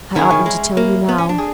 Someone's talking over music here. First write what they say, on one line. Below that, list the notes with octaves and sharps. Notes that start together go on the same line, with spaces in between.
I oughtn't to tell you now.
D#3 C#4 E4 G#4 C#5
D#3
G#3
A#3
B3
C#4
D4
G#4